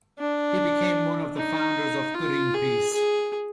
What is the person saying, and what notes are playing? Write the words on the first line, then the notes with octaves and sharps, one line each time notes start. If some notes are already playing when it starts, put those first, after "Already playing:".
He became one of the founders of Greenpeace.
D4
D#4
F4
G#4
G#4